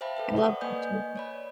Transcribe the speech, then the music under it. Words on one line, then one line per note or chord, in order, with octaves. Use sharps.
I love watching.
C5 E5 F5 G5 A5 B5
A4 B4 E5
D5 F#5 C#6 D#6
A#3 B4 D#5 G#5 G6
C#5 D5 B5